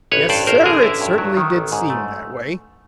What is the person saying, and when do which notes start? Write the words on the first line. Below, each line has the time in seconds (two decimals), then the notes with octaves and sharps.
Yes, Sir, it certainly did seem that way.
0.12 A1 B4 C#5
0.29 G2 C5 D5
0.47 A1 A#4 C5
0.65 D3 G#4 A#4
0.82 A1 E4
1.01 G2
1.18 F#3
1.37 D#3
1.55 A1
1.72 G#2
1.90 A3